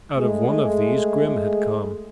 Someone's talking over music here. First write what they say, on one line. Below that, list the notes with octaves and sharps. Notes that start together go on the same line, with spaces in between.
Out of one of these Grim had come.
G#3 A3 G#4